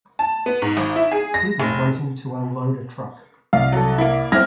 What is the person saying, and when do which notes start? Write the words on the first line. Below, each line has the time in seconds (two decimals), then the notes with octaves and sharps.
People waiting to unload a truck.
0.19 A5
0.46 B3
0.62 G#2
0.77 G#1
0.96 E4
1.12 G#4
1.34 A#6
1.60 F1
3.53 C2 F5
3.72 F#3 A4
3.98 A#3 E4
4.32 G3 C4 E4 F6 A#6